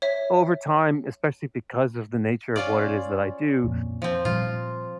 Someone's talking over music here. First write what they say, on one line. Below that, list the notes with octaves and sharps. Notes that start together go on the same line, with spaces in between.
over time, especially because of the nature of what it is that I do,
C#5 E5
C#4 F4 D5
F2 A#2
F3 C4
A#2 F3 G3 F4